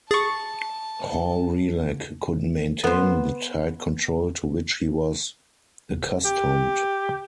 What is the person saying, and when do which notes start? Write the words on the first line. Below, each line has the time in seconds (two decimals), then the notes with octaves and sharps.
Hawrelak couldn't maintain the tight control to which he was accustomed.
0.11 G#4 A5 C#6 A6
2.84 B3 C5
6.24 G4